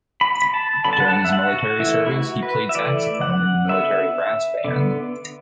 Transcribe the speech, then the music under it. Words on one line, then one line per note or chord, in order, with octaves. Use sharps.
During his military service, he played saxophone in the military brass band.
B5
B5
A5
D3 F#3 B3 B5
A5
F#5
A5
F#5
E5
F#5
F#4
E3 A3 E4
E4
F#4
B4
E5
E3 A3 D5
F#5
D3 B3 E5
D3 B3